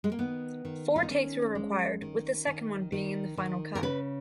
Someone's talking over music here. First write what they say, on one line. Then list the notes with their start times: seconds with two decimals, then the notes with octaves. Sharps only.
Four takes were required, with the second one being in the final cut.
0.04 G#3
0.12 A#3
0.19 D#3 B3
0.65 D#3
0.96 F4
1.03 D#4
1.10 D#3 C#4
1.55 G#3
2.02 D#3
2.47 D#3
2.92 D#3
3.37 D#3
3.75 A#4
3.83 C#3 B4